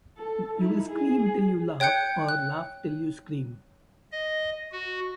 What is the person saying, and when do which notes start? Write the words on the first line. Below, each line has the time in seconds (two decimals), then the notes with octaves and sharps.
You'll scream till you laugh, or laugh till you scream.
0.17 A4
0.58 D#4 E4
0.89 G#4
1.80 C#5 G5 F#6 G6 C#7
2.29 F#6
4.12 D#5
4.72 F#4